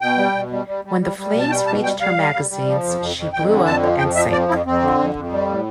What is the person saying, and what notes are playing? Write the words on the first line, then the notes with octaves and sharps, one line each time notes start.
When the flames reached her magazines, she blew up and sank.
B2 G5
G3
B2
G3
G3
G3
G3
G3
B2
A5
G3 G5
B2 A5
G3 G5
G3 F5
G3
G3
G3
F3
F2
F2
F2
F2 G5
D3
F2 A5
F3
F2 G5
F3 E5
F2 D5
F2 E4
F2 C4
D3
F2
F2
G3
A2